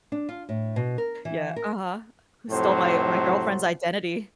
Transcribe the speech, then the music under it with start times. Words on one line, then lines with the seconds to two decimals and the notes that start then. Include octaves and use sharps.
Yeah, uh-huh. "Who stole my my girlfriend's identity."
0.12 D4
0.29 F4
0.49 A2
0.76 B2
0.98 A#4
1.25 E3
1.56 A#4
2.50 F2 A2 C3 F#3 C5